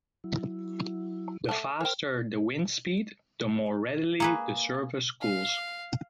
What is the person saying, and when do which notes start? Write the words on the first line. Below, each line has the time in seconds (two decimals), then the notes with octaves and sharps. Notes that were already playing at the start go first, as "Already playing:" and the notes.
The faster the wind speed, the more readily the surface cools.
0.24 F#3 E4
1.49 A3 F#5 A5
1.81 A#4 C5 C#5 G5 F6
4.20 A#3 G#4 B4
5.21 F5